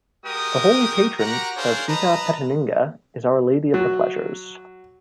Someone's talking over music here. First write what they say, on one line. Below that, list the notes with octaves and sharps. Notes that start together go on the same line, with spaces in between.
The holy patron of Itapetininga is Our Lady of the Pleasures.
G#3 F#4 G4 A#4 D#6
F#4 G4 A#4 F#5 A#5
D4 G#4 A#4 C5 C#5 F5
B4 D#5 A5 A#5
F#3